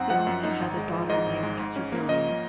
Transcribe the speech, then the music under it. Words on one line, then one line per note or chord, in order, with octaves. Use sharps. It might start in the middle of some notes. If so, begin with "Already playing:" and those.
He also had a daughter named Servilia.
Already playing: F#2 C4 D#4 F#5
F3 F#5
F#2
D#4
G#1
G#3
F3
G#2 D#5
G#1
G#3
G#2
C#4
A#3
F3 D#5